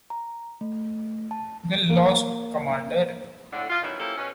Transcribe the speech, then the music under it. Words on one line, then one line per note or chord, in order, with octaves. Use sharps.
"The Lost Commander".
A#5
A3
A5
A#3
A2 D3
F4
B2 D#3 F#3 C#4 D#4 E4
F3 A#3 C#4 E4 G4 A4
B2 C#4